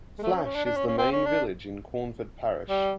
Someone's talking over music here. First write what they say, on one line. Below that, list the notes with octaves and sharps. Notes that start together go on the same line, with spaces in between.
Flash is the main village in Quarnford Parish.
G#3
A3
C#4
C#4
D4
D4
C#4
C#4
C4
C#4
D4
G3